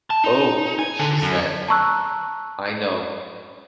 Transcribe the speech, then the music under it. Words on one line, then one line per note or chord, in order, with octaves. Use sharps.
"Oh," she said; "I know."
A5
D#4
G#5
D3
F#2
A5 A#5 C#6 E6 F#6